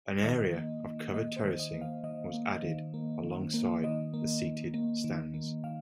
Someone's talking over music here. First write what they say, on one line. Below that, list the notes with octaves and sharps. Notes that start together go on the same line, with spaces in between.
An area of covered terracing was added alongside the seated stands.
D#3 D#5
A#3
D#3
A#3 D#5
C5
D#3
D#5
A#3
F5
D#3 D#5
A#3
D#3
A#3
D#3
A#3
D#3 D#5
A#3
D#3
A#3
D#3
A#3
D#3 F5